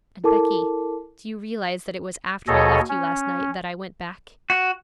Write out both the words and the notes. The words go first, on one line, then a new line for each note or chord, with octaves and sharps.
'And Becky, do you realize that it was after I left you last night that I went back?
E4 A4 A#4 A5 D6
D#2 B2 G#4 A4 C#5 D#5
C#4
F#4